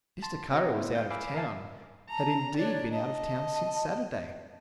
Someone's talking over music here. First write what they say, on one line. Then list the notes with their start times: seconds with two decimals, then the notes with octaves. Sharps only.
Mr. Kara was out of town, had indeed been out of town since Saturday.
0.23 A5 C6
0.52 C4 F#4 C#5 D#5 F#5 A#5
0.71 A3 B3 E4 C5
0.95 F5 G6
1.10 F5 G#5 B5 D6 E6
1.35 A#4 E5 F5 G#5 A5
2.10 A5 A#5
2.57 D4 C#5
2.91 D#5 A5